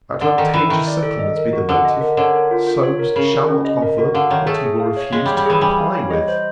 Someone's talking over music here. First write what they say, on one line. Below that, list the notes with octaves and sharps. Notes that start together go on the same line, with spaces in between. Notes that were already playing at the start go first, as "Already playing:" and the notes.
If advantageous settlements be the motive, Solmes shall not offer what he will refuse to comply with.
D3 D5
D#3 A4
E3 E4
D#3 E4
D5
A4
D#5
A#4
F#4
D3 F#5
D#5
A#4
D3 C#5
A#4
F4
F4
C#5
A#4
C#3 A#4
F#4
C#4
D#5
A#4
F#4
D3 F5
D#3 C#5
A3 G#4
G#4
F5
C#5
G#3 F5
G3 C#5
G3
E3 G#4
G3 G#5
F5
C#5
D#5
C5